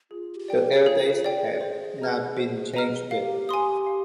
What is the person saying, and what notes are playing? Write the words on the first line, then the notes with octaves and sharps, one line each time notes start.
The air dates have not been changed.
F4 G#4
G4
D5 G5
G4
F4 G#4
F4
D5 G5
G#4
C5
D#5 A#5 F6
C5
D#5 A#5 F6
G4 F5
G#5 C6 D#6
F5